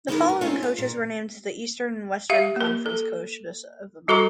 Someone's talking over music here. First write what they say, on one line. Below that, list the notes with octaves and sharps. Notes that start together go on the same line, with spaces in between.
The following coaches were named the Eastern and Western Conference Coaches of the Month.
D#3 F#3 B3 D4 E4 A#4
A#4 B4
A3 C4 C#4 D#4 F4 C#5
F4
A#2
G4 E5 F5
A#3 A#4
A4
G3 F#4 A4 A#5 C#6